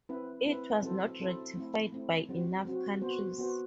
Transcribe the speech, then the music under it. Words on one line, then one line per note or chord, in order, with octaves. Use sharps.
It was not ratified by enough countries.
C4 E4 B4
C4 E4 B4
F#3 C4 E4 A4 C5
F#3 C4 E4 A4 C5
A3 C4 E4
A3 C4 E4
F#3 C4 F#4
F#3 C4 F#4
B3 F#4 C5
B3 F#4 C5